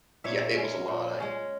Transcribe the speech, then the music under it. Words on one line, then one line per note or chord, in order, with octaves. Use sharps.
Yeah, it was a lot. I
A#2 C#5 E5
G#3 C#4
A#2
G#3 C#4